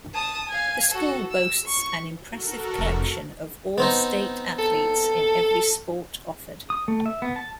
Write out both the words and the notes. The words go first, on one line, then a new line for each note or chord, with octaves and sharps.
The school boasts an impressive collection of all state athletes in every sport offered.
A5 D#6
F5 G#5
F#4 A4
E6
C#6
F#4 A4 A#4
F1
B3 C4 D#4
A4
D#6
A3
E5
B3
A5